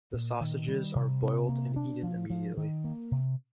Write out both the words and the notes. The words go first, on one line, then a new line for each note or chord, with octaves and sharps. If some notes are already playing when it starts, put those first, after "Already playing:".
The sausages are boiled and eaten immediately.
A#2
D#3
G3
C3
C3
A#3
D4
F3
F3
D#3
A#3
C3